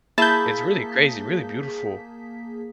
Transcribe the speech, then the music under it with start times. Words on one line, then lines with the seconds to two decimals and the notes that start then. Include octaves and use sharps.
It's really crazy, really beautiful,
0.18 A#3 E4 G#4 A5 G6 B6